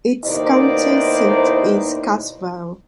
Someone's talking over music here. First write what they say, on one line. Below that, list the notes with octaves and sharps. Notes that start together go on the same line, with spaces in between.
Its county seat is Cassville.
D#2 B2 D#4 E4 C5 D5